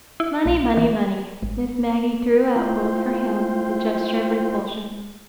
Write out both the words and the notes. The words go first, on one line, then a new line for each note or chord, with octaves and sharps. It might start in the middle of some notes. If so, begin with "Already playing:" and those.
"Money, money, money!" Miss Maggie threw out both her hands with a gesture of repulsion.
E4
A#1
E3
G#1
A3 E4 F4 C5 G5